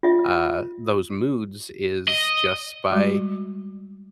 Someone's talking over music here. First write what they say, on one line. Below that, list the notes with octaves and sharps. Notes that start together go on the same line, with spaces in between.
uh, those moods is just by,
F4 E5
D#5
G3 G#3 F#4